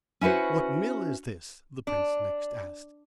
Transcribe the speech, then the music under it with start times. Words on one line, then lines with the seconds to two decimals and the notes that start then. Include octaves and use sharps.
"What mill is this?" the prince next asked.
0.21 C#4 E4 F#4 B4 C5
1.87 D4